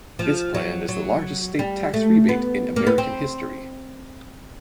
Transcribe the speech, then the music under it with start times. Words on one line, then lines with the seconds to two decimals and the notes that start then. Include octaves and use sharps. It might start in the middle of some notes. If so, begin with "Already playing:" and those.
This plan is the largest state tax rebate in American history.
0.19 F3
0.54 F#3
0.89 F#3
1.59 G3
1.94 A3
2.29 B3
2.76 A#3
2.87 B3
2.98 C4